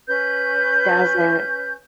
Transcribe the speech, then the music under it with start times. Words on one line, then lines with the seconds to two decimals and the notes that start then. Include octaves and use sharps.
It doesn't.
0.07 C#4 B4 G6